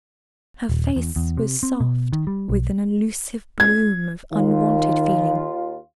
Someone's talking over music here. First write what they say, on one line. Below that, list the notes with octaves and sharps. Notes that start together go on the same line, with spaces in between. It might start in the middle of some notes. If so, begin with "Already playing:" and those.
Her face was soft with an elusive bloom of unwonted feeling.
D#1
E2
E2
C3
C4
B2
D#3
G3
B1
G#6
D#2 D#3 F4